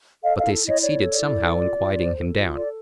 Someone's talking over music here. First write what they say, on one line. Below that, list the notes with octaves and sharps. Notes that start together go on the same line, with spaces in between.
But they succeeded somehow in quieting him down.
A4 D#5 F5
D#5 F5
E4
E4 C#5 D#5
C#5 D5
A4
D5
E4
A4
F4
F4
C5
A4
F4
A4 D5